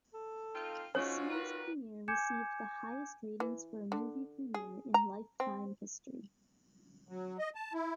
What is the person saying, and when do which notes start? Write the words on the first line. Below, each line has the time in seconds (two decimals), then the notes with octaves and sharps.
The series premiere received the highest ratings for a movie premiere in Lifetime history.
0.14 A4
0.54 C4 D#4 F4
0.95 G#2 C#4 F4 F#4 C#5
1.30 G3 D#4 A#4 B4
2.08 G#5 D6 G6 G#6 C#7 E7
3.40 E3
3.92 D3
4.54 G#4
4.94 A#5
5.40 C4
7.09 F#3
7.38 D#5
7.55 A5
7.73 E4